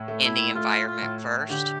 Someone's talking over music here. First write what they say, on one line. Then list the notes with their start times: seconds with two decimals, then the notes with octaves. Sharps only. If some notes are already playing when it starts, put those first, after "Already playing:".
in the environment first
Already playing: A2
0.08 A3
0.24 E4
0.55 A3 F4
0.87 F4
1.02 A2
1.50 D3 G4